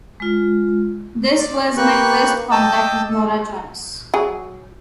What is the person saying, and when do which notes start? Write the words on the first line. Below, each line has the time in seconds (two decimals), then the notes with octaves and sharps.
This was my first contact with Norah Jones.
0.20 G#3 F4
1.39 D5
1.77 A#3 G4 B4 C#6 F#6
2.51 D#5 G5 A5 D6 E6
3.09 A4
4.14 F#3 G#4